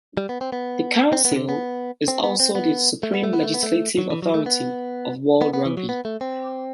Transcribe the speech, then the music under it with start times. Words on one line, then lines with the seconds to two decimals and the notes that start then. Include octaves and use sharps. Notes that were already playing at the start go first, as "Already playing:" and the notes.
The Council is also the supreme legislative authority of World Rugby.
0.17 G3
0.29 B3
0.41 C4
0.52 B3
1.13 C4
1.25 B3
1.32 C3
1.36 D3
1.49 B3
2.08 C4
2.23 B3
2.40 C4
2.55 B3
3.03 A3
3.14 B3
3.24 A3
3.33 B3
3.43 A3
3.54 B3
3.63 A3
3.98 F#3
4.10 E3
4.22 F#3
4.34 A3
4.46 B3
5.42 B3
5.53 B3
5.66 E3
5.77 F#3
5.89 B3
6.05 A3
6.21 C4